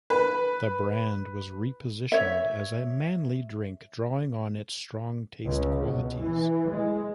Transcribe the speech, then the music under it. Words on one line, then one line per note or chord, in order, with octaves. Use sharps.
The brand was re-positioned as a "manly" drink, drawing on its strong taste qualities.
B4
C#5 E5
C#2
B2
E3
G#3